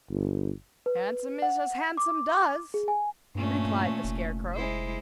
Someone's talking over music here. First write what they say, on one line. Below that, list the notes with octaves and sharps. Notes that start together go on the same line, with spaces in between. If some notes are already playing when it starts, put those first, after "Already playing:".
"Handsome is as handsome does," replied the Scarecrow.
G1
B4
F#5
D6
G#4
G#5
G2 A#2 A3 C#4
F1
G#3 E4 C5